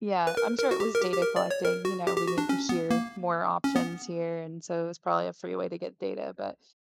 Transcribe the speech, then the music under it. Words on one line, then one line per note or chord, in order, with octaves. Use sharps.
Yeah, I'm sure it was data collecting. You know, we need to hear more options here, and so, it was probably a free way to get data, but,
B4
A#4
A#4
F#4
G4
A#4
G4
G4
A#4
D5
C#5
A#4
F#4
G4
G4
F#4
D4
C#4
B3
A#3
C#4
B3